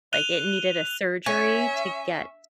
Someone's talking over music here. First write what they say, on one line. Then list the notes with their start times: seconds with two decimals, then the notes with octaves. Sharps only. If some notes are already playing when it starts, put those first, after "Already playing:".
Like, it needed a surgery to get
0.13 F#6 D#7 F7 G7
1.26 C#4 E5 G#5